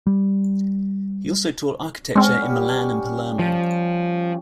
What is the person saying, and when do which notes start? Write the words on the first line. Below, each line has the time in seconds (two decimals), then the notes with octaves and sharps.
He also taught architecture in Milan and Palermo.
0.07 G3
2.15 G#3 C4 C#4 F#5
2.41 G3
3.39 F3